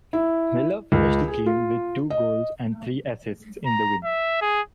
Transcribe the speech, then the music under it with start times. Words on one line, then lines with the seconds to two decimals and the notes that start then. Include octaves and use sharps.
Miller finished the game with two goals and three assists in the win.
0.13 E4
0.92 C#2
1.28 G#4
1.46 F4
2.10 D#5
3.66 A#5
4.05 E5
4.41 G#4